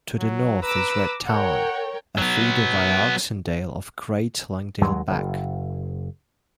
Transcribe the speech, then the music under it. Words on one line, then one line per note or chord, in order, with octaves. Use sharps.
To the north is Red Tarn, a feeder via Oxendale of Great Langdale Beck.
F#3
B4 A#5 D6 E6
A#4 C#5 F#5 G5
F#3 B3
D#2 F#3 G#3
F#1